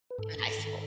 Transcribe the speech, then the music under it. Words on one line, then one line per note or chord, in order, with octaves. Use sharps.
in high school.
B4
G#2 A4
G#2
D#3